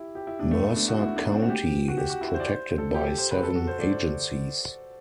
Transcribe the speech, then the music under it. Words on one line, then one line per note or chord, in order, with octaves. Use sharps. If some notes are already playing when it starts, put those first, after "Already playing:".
Mercer County is protected by seven agencies.
Already playing: E4 G4
G4
E4
D4
A3
B3
D4
F#4
E4
D4
C4
F#4
G4
F#4
G4
F#4
E4
C5
D5
C5
A4
G4
C5
B4
A4
F#4
C5
D5
C5